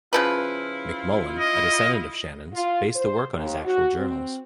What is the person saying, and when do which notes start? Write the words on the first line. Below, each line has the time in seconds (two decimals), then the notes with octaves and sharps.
McMullan, a descendant of Shannon's, based the work on his actual journals.
0.13 C#3 F3 E4 F4 B4
1.38 D#5
2.54 F4
2.95 C5
3.34 D#2
3.64 F#4
3.97 C4